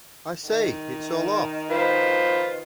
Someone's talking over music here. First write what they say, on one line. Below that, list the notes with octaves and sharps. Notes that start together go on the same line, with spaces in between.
I say, it's all off.
D#3
F4 B4 C5